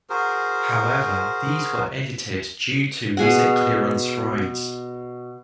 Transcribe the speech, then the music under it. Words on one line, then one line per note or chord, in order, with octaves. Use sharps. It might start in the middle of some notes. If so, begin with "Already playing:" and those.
However, these were edited due to music clearance rights.
F#4 G#4 A#4 C5
B2 G#4 F#5